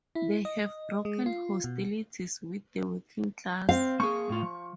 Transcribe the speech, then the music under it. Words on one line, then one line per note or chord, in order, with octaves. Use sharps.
They have broken hostilities with the working class.
E4
D#5
G#3
F4
B2
C4 F5
A#3 G#4 C#6
A2 F4
F3